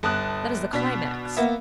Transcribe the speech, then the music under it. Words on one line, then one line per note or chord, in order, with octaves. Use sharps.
That is the climax.
G1 A5 D#6 F#6
B2 D4 B6
A#3 B3 E5